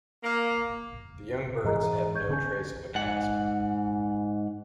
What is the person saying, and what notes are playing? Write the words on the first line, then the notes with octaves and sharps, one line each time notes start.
The young birds have no trace of a casque.
A#3
G#2 E3 G#3 G#4 D#5 A#5
C#6 G6 G#6
D3 A#3 C#4
G#2 F#5